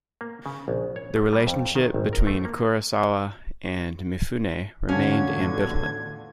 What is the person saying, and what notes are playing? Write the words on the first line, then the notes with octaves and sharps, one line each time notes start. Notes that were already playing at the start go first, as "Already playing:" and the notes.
The relationship between Kurosawa and Mifune remained ambivalent.
A#3
C#3
A#1
C#5
A3
G3
F2
D#3
G#1
A#4
A3
A#3
E2 A2 D3 C#4 F4 F#4 F#5 G#6